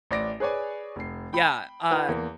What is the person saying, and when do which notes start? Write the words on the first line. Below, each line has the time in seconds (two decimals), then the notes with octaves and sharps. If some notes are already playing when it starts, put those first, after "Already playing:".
Yeah, um,
0.11 A1 D5 A#6 D7
0.40 G#4 B4 C#5 D5 G#5
0.96 F1 C7
1.33 G5 B5
1.91 E4 F#4 B4 G5
2.09 E2 A#3